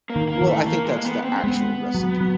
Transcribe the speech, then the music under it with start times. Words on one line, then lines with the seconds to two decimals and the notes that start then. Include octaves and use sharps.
Well, I think that's the actual recipe,
0.10 A#3
0.16 D#3
0.29 A#3
0.41 E3
0.48 A3
0.67 A#3
0.86 G#3
0.97 A#3
1.05 B3
1.24 C4
1.36 C4
1.44 G#3 B3
1.95 F#3
2.21 F#3